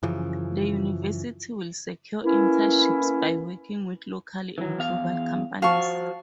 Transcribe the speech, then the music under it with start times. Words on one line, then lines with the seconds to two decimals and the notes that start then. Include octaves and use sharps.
The university will secure internships by working with local and global companies.
0.03 F#2 C#3 E3 F3
2.24 A#3 B3 C#4 E4
4.58 E3 F#3
4.78 E2 F5
5.62 F3 F#4 F5 A5 C#6